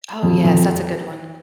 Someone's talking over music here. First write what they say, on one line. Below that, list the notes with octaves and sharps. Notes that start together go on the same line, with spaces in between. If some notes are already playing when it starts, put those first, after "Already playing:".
Oh, yes, that's a good one.
F2
F2